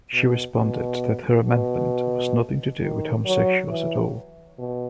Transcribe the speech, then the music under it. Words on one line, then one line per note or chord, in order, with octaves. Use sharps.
She responded that her amendment was nothing to do with homosexuals at all.
B2
B2
B2
D#3
F#3
E3
B2